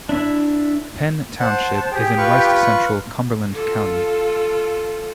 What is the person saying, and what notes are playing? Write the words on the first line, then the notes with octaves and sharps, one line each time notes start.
Penn Township is in west-central Cumberland County.
D4 E4 E5
C5 F#5 A5
G4 G#4 G5
F4 B4 C#6
F4 A4